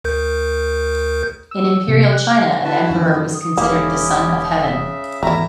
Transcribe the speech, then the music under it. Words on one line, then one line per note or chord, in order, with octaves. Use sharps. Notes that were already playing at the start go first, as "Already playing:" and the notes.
In Imperial China, an emperor was considered the Son of Heaven.
D2 A#4 G6
E6
C3
F#6
E4 F#4 B4 A5
F#2 A#2 D#3 E3
D#6
E1 A#3 C#4 E4 G4
C#3 E5
G#1 E2 A3 E4 A#5